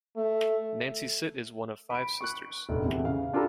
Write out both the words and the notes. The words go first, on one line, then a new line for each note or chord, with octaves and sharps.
Nancy Sit is one of five sisters.
A3
B5 D7
C#6 F#6
F1 A#1
E2 C3
C#3 F5
D4 F4 G4 A4 A#5 B5